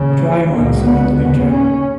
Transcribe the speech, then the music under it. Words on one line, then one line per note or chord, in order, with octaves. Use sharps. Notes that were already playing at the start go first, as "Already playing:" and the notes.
The drier months are in the winter.
Already playing: D#2 C#3
C#2 B2 A#3
B3
D#2 C#3
C#4